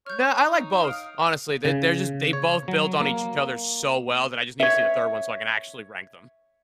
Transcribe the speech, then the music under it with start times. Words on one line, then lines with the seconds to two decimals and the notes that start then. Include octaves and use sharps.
No, I like both, honestly, they they're just they both built on each other so well that I just need to see the third one so I can actually rank them.
0.06 C#5 F6 G6
0.44 D#4
0.83 F5 D#6 D7
1.65 C#3
2.33 C#5
2.68 F#3
3.00 A#3
4.60 C#5 E5